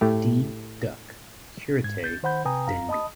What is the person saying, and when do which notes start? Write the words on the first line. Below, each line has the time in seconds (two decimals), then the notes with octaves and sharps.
D. Duck, Curate of Danby.
0.01 A2 A3 G4
1.84 G#2 G#6
2.02 C#2 G6 A6
2.23 D#3 C5 F#5 B5 G6
2.45 C3 B4 G5 G#5 A#5 D#6
2.67 F#2 F5 A#5
2.89 D#5 A5 B5 D#6